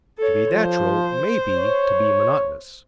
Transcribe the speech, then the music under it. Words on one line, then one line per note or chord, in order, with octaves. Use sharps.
To be natural may be to be monotonous.
A4 C#5
F3 C5
C#5